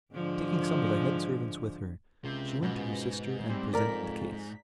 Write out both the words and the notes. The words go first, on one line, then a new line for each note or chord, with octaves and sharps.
Taking some of the head servants with her, she went to her sister and presented the case.
G#2 D3 F3
C#2 C3
G#2 B2
G3 C4
F2 A#4 D5 B6